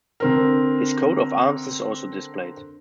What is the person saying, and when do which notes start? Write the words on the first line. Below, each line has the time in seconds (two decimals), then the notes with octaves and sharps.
His coat of arms is also displayed.
0.20 D3 C4 A#4